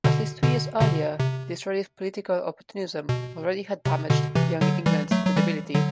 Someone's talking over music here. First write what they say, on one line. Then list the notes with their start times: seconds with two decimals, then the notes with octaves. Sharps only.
At least two years earlier, Disraeli's political opportunism already had damaged Young England's credibility.
0.04 B2 D3
0.43 B2 D3
0.80 B2 D3
1.20 C3
3.09 B2
3.86 C3
4.10 B2 D3
4.35 C3 E3
4.61 D3 F#3
4.86 E3 G3
5.11 F#3 A3
5.26 F#3
5.36 E3 G3
5.75 D3 F#3